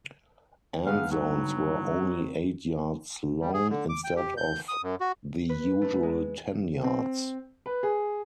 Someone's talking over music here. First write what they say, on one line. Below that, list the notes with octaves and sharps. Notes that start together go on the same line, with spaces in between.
End zones were only eight yards long instead of the usual ten yards.
G2 D3 B3 G#4 F5
F#3 D#4
E4
C4
G3
G#4
D3
D6
G5
G4
G6
D#6
F#2
F#4
B4
A3
G#3
C4
B4
G#4